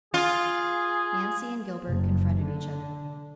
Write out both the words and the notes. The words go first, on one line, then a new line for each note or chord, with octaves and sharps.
Nancy and Gilbert confronted each other.
F4 G#4
F#1
D3